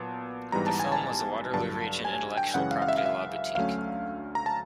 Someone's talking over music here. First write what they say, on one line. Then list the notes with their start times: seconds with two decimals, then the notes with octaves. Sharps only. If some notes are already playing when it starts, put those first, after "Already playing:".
The firm was a Waterloo Region intellectual property law boutique.
Already playing: A#2 F#3 B3 A5
0.52 G#2 E3 G3 B3 A#5
0.67 A5
0.80 G#5
0.92 A5
1.54 G2 D3 F#3 A5
2.05 G#5
2.38 G5
2.54 F#2 C#3 E3 G#3 C#4 F#5
2.71 F5
2.82 F5
2.88 E5
2.98 F5
3.06 E5
3.55 D2 D3 F#3 A3 C#4 F5
4.35 A#5
4.46 A5